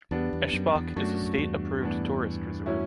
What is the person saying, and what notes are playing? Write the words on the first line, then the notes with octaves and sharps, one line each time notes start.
Eschbach is a state-approved tourist resort.
E2 G3 B3 D4
E2
F#2
E2
F#2 A3 D4 F#4
A2
E2 G2
A2 E3 B3 D4
A2 F#3 C#4 E4